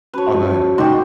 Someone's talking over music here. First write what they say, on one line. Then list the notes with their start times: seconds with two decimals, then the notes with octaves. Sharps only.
Oh, go ahead.
0.14 C#4 F#4 B4 C#5 A5
0.34 F3
0.78 F1 D#4 F#4 G4 C6